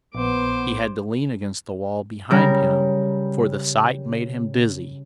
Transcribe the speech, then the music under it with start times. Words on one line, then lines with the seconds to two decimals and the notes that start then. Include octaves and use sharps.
He had to lean against the wall behind him, for the sight made him dizzy.
0.15 A#1 B3 C5 D6
2.30 C#3 G3 A#4